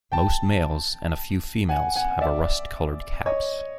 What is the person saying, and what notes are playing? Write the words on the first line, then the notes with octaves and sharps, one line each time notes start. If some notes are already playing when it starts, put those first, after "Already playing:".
Most males and a few females have a rust-colored caps.
G5 A5
F#5 G#5
F#5 G#5
D5 E5
C#5 D#5